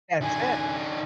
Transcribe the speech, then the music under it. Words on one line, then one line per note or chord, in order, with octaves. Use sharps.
That's it.
D#3 D4 G#5